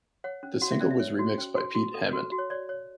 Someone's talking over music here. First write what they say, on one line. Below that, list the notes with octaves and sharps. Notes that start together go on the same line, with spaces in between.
The single was remixed by Pete Hammond.
C#5 F#5
C#4
F#4 F#5
E5
C#4 D5
E5
C#5
F#4
C#4
F#4
F#4
A4
F#4
F#4
C#5
C#5 D5
C#5